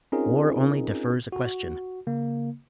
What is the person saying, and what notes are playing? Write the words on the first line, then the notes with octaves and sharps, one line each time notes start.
War only defers a question.
C4 C#4 D#4 F4 G#4 A#4
F#4
C#3 A#3